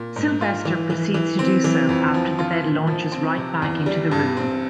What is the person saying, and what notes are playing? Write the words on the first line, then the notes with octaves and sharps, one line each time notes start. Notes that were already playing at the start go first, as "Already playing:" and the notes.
Sylvester proceeds to do so after the bed launches right back into the room.
Already playing: A#2
G#2
F4
E3
E3
E3
C4
E3
F2
F3
F4
A#2
F3
C4
C3
E2
G3
G2
C4